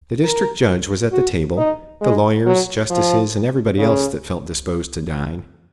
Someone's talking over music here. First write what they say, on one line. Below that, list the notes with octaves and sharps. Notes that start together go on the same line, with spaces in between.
The district judge was at the table, the lawyers, justices, and everybody else that felt disposed to dine.
A#4
F#4
D#4
G#3
F#3
F3
C#3